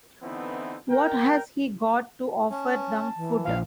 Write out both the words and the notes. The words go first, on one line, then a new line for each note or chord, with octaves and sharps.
What has he got to offer them food?
D3 E3 B3 C4 D#4 E4
A#4 G5
C#4 A5
E3
A#1 F3 F5